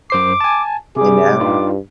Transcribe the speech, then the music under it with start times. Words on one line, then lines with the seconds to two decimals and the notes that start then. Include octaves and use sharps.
And now
0.10 F#2 C5 D6 C7
0.41 G#5 A5
0.96 C3 G3 G#4 D6
1.39 G2 D#4 F4 G4